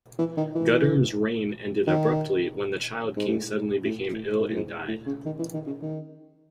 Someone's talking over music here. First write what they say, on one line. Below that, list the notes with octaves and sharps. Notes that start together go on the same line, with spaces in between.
Guttorm's reign ended abruptly when the child king suddenly became ill and died.
E3
D#3
E3
D#3
G#2
A2
A2
A2
G#2
A2
G#2
A2
C#3
D#3
E3
D#3
C#3
D#3